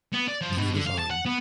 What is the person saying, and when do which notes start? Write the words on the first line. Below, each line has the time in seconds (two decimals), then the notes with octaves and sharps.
The Heat Is On.
0.14 B3
0.28 D5
0.41 F3
0.57 B2
0.74 D3
0.86 F5
0.98 A5
1.10 F#5
1.25 B3